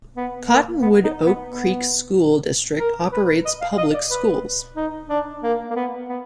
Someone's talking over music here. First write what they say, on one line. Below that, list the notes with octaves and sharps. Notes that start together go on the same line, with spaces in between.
Cottonwood-Oak Creek School District operates public schools.
B3
A#3
B3
D#4
B3
B3
A#4
B4
D#5
F5
D#5
D5
B4
D#4
D4
A#3
A#3
B3
B3